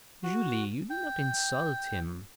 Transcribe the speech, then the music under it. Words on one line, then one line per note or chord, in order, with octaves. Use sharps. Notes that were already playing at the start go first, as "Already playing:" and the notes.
"Julie--you need not insult him."
F#4
G5